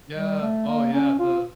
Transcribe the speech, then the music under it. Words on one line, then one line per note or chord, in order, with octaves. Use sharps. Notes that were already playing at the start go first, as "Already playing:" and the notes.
Yeah. Oh, yeah. The
G3
A3
A#3
C#4
F4